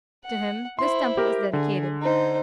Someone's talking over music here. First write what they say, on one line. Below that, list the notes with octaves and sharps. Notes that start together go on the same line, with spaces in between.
To him this temple is dedicated.
F#5
E4 C5 C6
G4 A#4
D3 G#4
D#4 C5